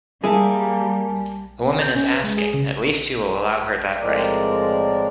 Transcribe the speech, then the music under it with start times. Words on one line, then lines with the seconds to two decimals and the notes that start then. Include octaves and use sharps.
A woman is asking: at least you will allow her that right.
0.24 G3 A#3 E4 G#4 A#4 G#5 A5
1.67 C4
1.82 G6
1.96 C#4
2.10 B4
2.24 G#3
2.38 G#4
2.54 C#3
3.99 A2 F3 G#3 C4 A#4 D5